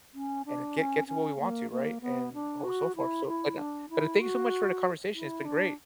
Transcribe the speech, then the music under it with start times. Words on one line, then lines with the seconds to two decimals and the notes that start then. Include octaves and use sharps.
and get get to what we want to, right, and oh so forth. So, like, uh, but thank you so much for the conversation. It's been great.
0.14 C#4
0.46 D4
0.77 C#4
1.07 C#4
1.39 A#3
1.71 A#3
2.01 B3
2.33 D4
2.64 F#4
2.96 E4
3.27 E4
3.58 D4
3.90 E4
4.21 F#4
5.14 E4
5.45 D4